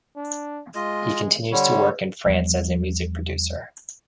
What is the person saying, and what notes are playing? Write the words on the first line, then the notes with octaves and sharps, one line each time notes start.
He continues to work in France as a music producer.
D4
G#3 F4 D#5
D3 G3 C#5
E2 F3 G3